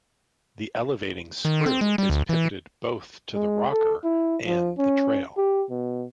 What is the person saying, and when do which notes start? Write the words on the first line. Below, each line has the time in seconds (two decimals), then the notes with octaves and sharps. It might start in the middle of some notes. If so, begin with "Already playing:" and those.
The elevating screw is pivoted both to the rocker and the trail.
1.45 D#3
1.66 C4
1.81 G#3
1.98 G3
2.10 D2
2.29 E3
3.34 G#3
3.72 A4
4.04 E4
4.46 F3
4.78 C#4
5.37 G4
5.70 B2